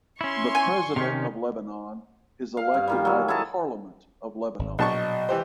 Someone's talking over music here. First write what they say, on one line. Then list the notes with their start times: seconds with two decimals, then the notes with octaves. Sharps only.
The President of Lebanon is elected by the Parliament of Lebanon.
0.21 C#4 E4 C6 C#6
0.55 G#5
0.96 C3 D#3 C#4
2.57 F5
2.74 G2
2.88 A#2 D#3 G3
3.05 F#3 G#3
3.28 E4 G#4 A4 A5
4.59 G#1
4.79 A#1 B2 F#3 D#5 A5 C#6
5.29 E3 G4 C5